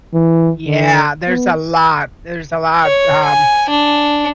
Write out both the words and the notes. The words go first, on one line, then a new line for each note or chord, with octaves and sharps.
Yeah, there's a lot, there's a lot, um.
E3
D3
B3
C#5
G#5
D4